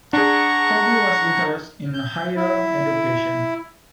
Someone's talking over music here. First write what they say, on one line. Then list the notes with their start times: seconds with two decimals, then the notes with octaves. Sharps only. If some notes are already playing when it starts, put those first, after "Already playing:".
Colby was interested in higher education.
0.13 D4 G#4 F#5 A#5 C#6
1.94 G6
2.36 E4